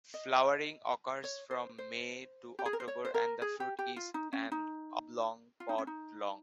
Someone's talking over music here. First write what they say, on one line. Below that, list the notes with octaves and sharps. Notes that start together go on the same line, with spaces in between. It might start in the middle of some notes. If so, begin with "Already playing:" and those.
Flowering occurs from May to October and the fruit is an oblong pod long.
D#5
C#5
C5
C5
G4
G#4
A#4
C5
C#5
C5
A#4
G#4
G4
G4
F4
D#4
C#4
D#4
F4
D#4
C#4
D#4